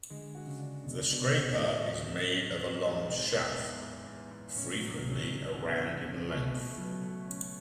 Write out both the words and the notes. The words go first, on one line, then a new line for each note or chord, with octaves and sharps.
The scraper is made of a long shaft, frequently around in length.
D3 G#3
F#4
C#3
D4
B2 G#3
B2 D4
A2
F#4
A2 A3
F#3
F#3
C#4
F#3
G#2
G#3
E2
E2
E2
E2
E2
A2 C#4
B2
A2 F#3
C#3 C#4
C#4
D3
E4
C#4
B2
A3
B2 F#3
A3
C#4